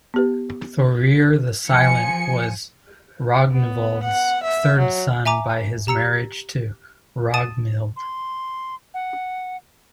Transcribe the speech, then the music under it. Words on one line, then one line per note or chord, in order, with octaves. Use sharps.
Thorir the Silent was Rognvald's third son by his marriage to Ragnhild.
B3 G4 B4
F3 G#5 C#7
B3
F#5
E5
F#3
E5 G#5 A#5 D6
G4 A#5 E6 C#7
A5 D#6 A6 D#7
C6
F#5